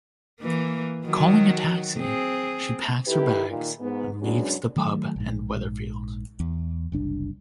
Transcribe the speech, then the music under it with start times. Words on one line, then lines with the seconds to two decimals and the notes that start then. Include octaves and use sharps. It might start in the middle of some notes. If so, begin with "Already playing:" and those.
Calling a taxi, she packs her bags, and leaves the pub and Weatherfield.
0.40 E3 A#3
1.05 D#3 F#3 F#4
1.97 C4 G#4
3.07 D#3 E4 G4 A4 B4
3.48 A#2 D#3
3.80 G#2 B3
4.22 F#2 B2 F#3 G#3 C#4 D4
4.76 D#3 F#3 A3
5.16 A#1 G#2
6.40 E2
6.92 F#1 C2 D4